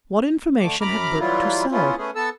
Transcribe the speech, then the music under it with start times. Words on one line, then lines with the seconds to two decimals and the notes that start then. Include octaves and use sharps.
What information had Burke to sell?
0.60 D3 A3 D6
0.81 F#2 A#5 B5 D6 F6
1.19 E3 F#3 G3 E4 F4
1.71 B3 C#4 E4 F4
1.97 A3 B3 C#4 G#4
2.15 B3 A4 A5 E6